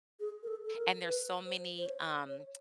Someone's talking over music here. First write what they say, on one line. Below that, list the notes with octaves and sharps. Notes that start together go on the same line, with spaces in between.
And there's so many, um
G#4
A#4
A4
A4
A#4
B4
C5
C5
C#5
C#5